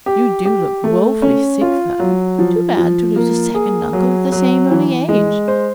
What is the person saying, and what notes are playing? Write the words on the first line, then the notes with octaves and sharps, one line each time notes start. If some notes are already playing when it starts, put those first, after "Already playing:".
You do look wofully sick though; too bad to lose a second uncle at the same early age.
G4
G4
A3
C#4
F4
F#3
F3
F3
A#3
G#4
F#3
F#3
E3
G#3
C5